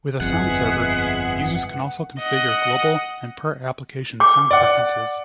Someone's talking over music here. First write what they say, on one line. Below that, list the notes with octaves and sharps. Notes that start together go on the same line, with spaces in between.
With a sound server, users can also configure global and per-application sound preferences.
G1 F2 G#3 B3 G#4 E5 F#5
D#5 F#5
D6
D5 F#5